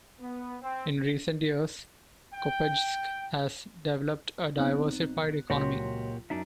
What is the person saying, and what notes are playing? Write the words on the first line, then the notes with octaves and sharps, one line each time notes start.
In recent years Kopejsk has developed a diversified economy.
B3
C4
G5
B1 B3 C4 D#4 F#6
C#2 A#2 F#3 F#4 G4 C#5 C6
F#2 D4 D#4 E5